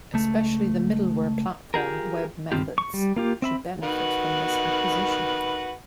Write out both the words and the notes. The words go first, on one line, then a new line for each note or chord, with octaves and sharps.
Especially the middleware platform WebMethods should benefit from this acquisition.
C#2 A3
F4 G4 G#4 A#4
C#2 G2 D#3 C4 F4 G4
C#6
G3
A#3 F4 G4
C4 E5 B5
D#3 F#4 B4